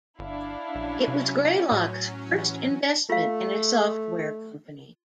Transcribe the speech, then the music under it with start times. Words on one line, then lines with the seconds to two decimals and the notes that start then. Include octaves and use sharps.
It was Greylock's first investment in a software company.
0.19 G1 D4 E4 F5
0.75 A#1 F#3 C#4
1.08 C3
1.72 A2
2.27 E3
3.10 A3 F4 F5